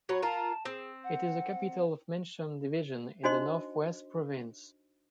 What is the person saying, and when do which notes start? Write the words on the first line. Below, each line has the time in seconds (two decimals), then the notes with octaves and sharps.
It is the capital of Menchum division in the Northwest Province.
0.09 F#3 C#5 B5
0.22 F4 A#4 A5
0.65 C4 G#4
1.03 F#5
3.24 D4 D#4 F#4 C5 D#5 C6